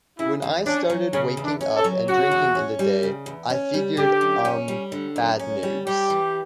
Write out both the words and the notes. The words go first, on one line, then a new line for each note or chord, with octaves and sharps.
When I started waking up and drinking in the day, I figured-umm, bad news.
C#3 E4
E2
C#4 D4
F#3
C#3 C#4
E2
D4
C#4
A4
F#3
C#3 F#4
E2
C#4
G3
C#3
E2
C#4
G3
D3 G4
F#2
C#4
G3
D3
F#2
C#4
G3
G3 G4
E3